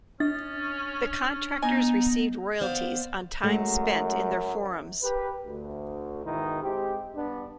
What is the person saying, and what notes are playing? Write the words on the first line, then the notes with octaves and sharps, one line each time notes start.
The contractors received royalties on time spent in their forums.
C#4 D4 A6
B3 D#4 G#5
B3 C5 D5 F5
F#2 G#3 A3
G4 A#4 B4
D2
G#2 B2 D#3 D#4 E4
G#3 C4 G4
G2 B3 D4